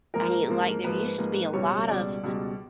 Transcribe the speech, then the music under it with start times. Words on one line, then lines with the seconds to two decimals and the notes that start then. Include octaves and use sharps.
I mean, like, there used to be a lot of
0.14 G#2 F3 A#3 A#4
0.49 G#2 F3 A#3
0.83 G#2 F3 A#3 B4
1.18 G#2 F3 A#3
1.53 C#2 B2 G3 C#5
1.88 C#2 B2 G3 D5
2.24 C#2 B2 G3